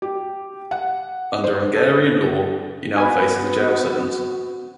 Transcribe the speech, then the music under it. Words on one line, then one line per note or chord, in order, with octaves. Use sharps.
Under Hungarian law he now faces a jail sentence.
G4
F#5
C5
A4
B3 F#4 B4 G#5